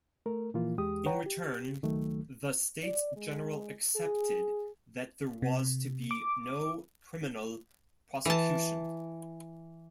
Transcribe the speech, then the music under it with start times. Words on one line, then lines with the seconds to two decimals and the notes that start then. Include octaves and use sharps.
In return, the States-General accepted that there was to be no criminal prosecution.
0.26 A3 A#4
0.54 A#2 E3 F3 A#3 F4
0.78 E2 G#3 G4 D#6
1.06 B4 C#5 F#5 G5 A#5
1.26 G4
1.83 C#2 D#3 F#3 A3
2.83 D5
3.16 G#3
3.96 G#4
5.42 C3
6.11 D6
8.25 E3 A5